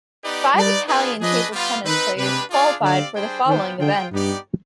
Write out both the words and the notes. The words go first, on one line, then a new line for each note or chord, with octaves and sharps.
Five Italian table tennis players qualified for the following events.
B3 D#4 G4 B4 D5
G3 D#4 B4 D5
B3 D4 F4 G#4 B4
F3 D4 G#4 B4 D#5
G3 B3 F4
D#3 C4 D#4 B4
C3 G#3 D4 G4 B4
D4 F4 G#4 D5 F5
D3 C4 G4 D5 F5
G3 D4 G#4 C5 G5
D#3 B3 D4 F4 C5 G5
D3 F4 G#4 C5 G5
G2 B3 D#4 G4 D5